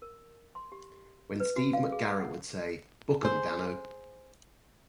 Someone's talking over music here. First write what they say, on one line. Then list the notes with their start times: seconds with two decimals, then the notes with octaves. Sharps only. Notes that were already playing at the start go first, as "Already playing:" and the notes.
When Steve McGarrett would say, Book 'em Dano!
0.02 A#4
0.55 C6
0.72 G4
1.40 B4
1.56 F#4
1.73 F5
1.92 G#4
2.20 F#5
3.23 G#4 C5